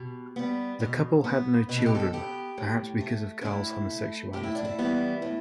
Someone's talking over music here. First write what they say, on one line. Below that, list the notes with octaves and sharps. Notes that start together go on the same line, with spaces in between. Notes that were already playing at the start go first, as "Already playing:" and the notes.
The couple had no children, perhaps because of Karl's homosexuality.
Already playing: B2 G4
G3 B3
B2
B3
B2 B4
A4
G4
A4
B3 G4
A2
A3
D4
A2 E4
A3
A2 G4
E4
D4
E4
E3 G3 B3
A2